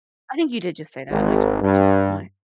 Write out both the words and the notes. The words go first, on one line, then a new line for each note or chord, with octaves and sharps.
I think you did just say that, and I totally just my
G#1
G2